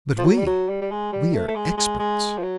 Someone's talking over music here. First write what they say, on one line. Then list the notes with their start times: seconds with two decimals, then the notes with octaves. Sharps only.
But we! we are experts.
0.18 F3
0.25 F#3
0.38 G3
0.46 F#3
0.69 G3
0.82 G3
0.91 G#3
1.12 G3
1.34 A3
1.48 A3
1.56 G#3
1.77 G#3
1.99 G#3
2.38 F3
2.43 F#3